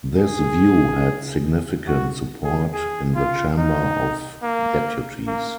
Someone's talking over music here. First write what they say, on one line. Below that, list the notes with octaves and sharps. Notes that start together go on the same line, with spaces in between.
This view had significant support in the Chamber of Deputies.
G#4
F#4
G#4
G#4
F4
D#4
A#3
A#3